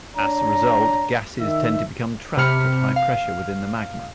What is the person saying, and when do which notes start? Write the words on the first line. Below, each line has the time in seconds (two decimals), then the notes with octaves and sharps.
As a result, gases tend to become trapped at high pressure within the magma.
0.16 D4 C#5 A#5
1.39 D#3 E5
2.37 C3 B5 F6 C#7
2.96 F5